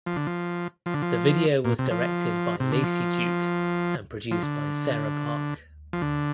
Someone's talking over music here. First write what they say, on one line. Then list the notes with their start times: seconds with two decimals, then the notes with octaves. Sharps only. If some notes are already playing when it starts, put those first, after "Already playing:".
The video was directed by Lacey Duke and produced by Sarah Park.
0.06 F3
0.16 D3
0.27 F3
0.86 F3
0.94 D3
1.02 F3
1.65 A#2
1.79 C3
1.91 F3
2.60 C3
2.72 D3
2.84 F3
4.31 F3
4.43 D3
5.93 F3
6.02 D3